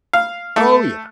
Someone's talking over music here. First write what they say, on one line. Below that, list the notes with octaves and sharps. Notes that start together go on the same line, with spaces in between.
Oh, yeah.
F5
A3